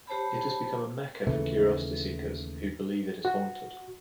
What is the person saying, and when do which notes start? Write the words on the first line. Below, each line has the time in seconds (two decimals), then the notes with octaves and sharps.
It has become a mecca for curiosity seekers who believe it is haunted.
0.07 G4 C5 C#5 A5 B5
1.27 D#2 C#3 E3 A3
3.25 F#4